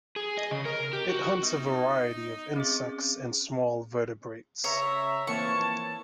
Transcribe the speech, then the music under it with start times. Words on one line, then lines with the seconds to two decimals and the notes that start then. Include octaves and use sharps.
It hunts a variety of insects and small vertebrates.
0.16 G#4
0.38 D#5
0.51 C#3
0.65 A#4
0.93 G4
1.09 F#4
1.43 B3 D#4
2.56 C4 C#4 G#4
4.64 C#3 C#5 E5 A#5
5.27 E3 F3 A#3 C4 B4 C#5 A5 C#6